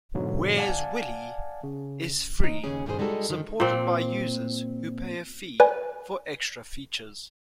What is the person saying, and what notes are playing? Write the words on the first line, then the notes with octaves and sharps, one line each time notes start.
"Where's Willy" is free, supported by users who pay a fee for extra features.
E2 G#2 B2 D3 F#3 B3
D5 F5 F#5 G#5 A5
C#3
D#2 D#4
D#2 C#3 C#4 G#4
G2 B2 D#3 G4 G#4 C5
G3 G#3 D#4 F#4 A4
F#2 D3 D#3 F3
A#2 C4
B4 D5 G#5